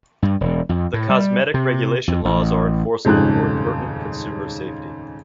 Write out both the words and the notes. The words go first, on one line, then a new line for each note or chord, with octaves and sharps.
The cosmetic regulation laws are enforceable for important consumer safety.
G2
E1
F2
A2
G3
C3
F2
A1
D#1 F2 G#2 C#3 A5 F#6